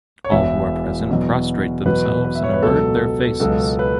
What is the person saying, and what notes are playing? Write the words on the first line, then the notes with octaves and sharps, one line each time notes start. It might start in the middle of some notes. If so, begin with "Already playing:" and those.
All who are present prostrate themselves and avert their faces.
C#5
E1 E2 E3 E5
E2 B2 F#3
E2 B2 F#3 B4
B4
E5
C#5
B4
C#2 B2 F#3 A4
C#2 B2 F#3 A4
B4